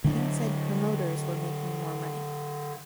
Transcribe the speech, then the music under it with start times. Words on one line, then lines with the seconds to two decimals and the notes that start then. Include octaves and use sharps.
King said Promoters were making more money.
0.04 D3 F#3 D4